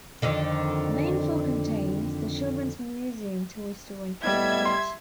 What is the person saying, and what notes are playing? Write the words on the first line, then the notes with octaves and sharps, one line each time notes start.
The main floor contains The Children's Museum toy store and food court.
F2 D3 D#3
A2 G3 B3 D#5 E5 G#6
C6